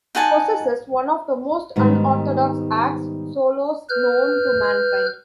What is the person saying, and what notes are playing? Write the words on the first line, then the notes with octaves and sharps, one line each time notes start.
Possesses one of the most unorthodox 'axe' solos known to mankind.
D#4 F#4 G#5 A5
G#2 B2 D#3 G3
B4 F6 G6